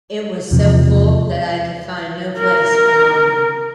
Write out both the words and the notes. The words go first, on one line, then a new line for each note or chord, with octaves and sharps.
It was so full that I could find no place for mine.
E2 C3 F3
A#4